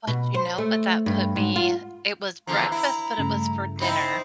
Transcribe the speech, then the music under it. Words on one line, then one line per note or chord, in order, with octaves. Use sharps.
but, you know, but that put me it was breakfast, but it was for dinner.
B2
C5
A3
G2
G#2
F4
E2 D3 F3 A#5
E4
G2 C#3 A3
C4 D#4 E4 B5